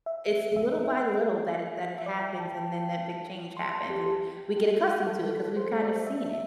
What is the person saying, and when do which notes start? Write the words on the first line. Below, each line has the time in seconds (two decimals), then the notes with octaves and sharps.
It's little by little that it that it happens, and then that big change happens, and we get accustomed to it ‘cause we've kind of seen it.
0.06 E5
0.56 E5
1.98 E5
2.06 D5
2.23 G5
2.40 A5
3.57 C6
3.73 A5
3.90 G4
4.06 G4
4.56 G4
5.07 A4
5.57 C5
5.81 D5
6.07 E5